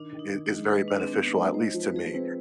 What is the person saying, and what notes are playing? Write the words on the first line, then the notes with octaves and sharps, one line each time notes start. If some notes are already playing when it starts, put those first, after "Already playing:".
is is very beneficial, at least to me.
Already playing: D#3 D4
D#3
D#4
D#3
D#4
G#3
G#3 B4
D4
G#3
C4
B3
D#4
G#3
D#4 C5
F3
B4
F3 G#4
B4
C4